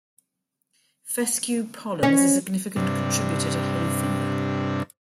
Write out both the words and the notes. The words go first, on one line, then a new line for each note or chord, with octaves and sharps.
Fescue pollen is a significant contributor to hay fever.
C#4
G2 C3 D4